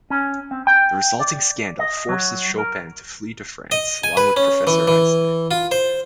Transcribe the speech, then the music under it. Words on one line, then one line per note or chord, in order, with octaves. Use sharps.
The resulting scandal forces Chopin to flee to France, along with Professor Eisner.
C#4
C4
G5
D5
D#5
F#3
A#4
D#5
G#5
B4
C#4
E3
E3
F4
C5